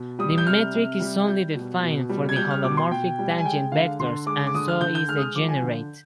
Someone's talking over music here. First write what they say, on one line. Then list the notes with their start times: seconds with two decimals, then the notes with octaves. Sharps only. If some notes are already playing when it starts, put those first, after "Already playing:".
The metric is only defined for the holomorphic tangent vectors and so is degenerate.
Already playing: B2
0.19 G3 D#6
0.38 G6
0.47 C3 F6
0.74 C3
1.00 G3
1.28 G3 G6
1.55 B2
1.83 B2
2.09 G3
2.29 G#6
2.36 G3 G6
2.51 F6
2.64 B2 D6
2.77 C6
2.91 B2 G5
3.19 G3
3.38 G#5
3.45 G#3 G5
3.72 D3 F5
3.99 D3 C6
4.26 G#3 D6
4.47 D6
4.54 D3 D#6
4.68 F6
4.81 D3 G6
4.95 G6
5.08 G#3 F6
5.17 D#6
5.22 F6
5.35 F3 D6
5.48 G#5
5.63 D3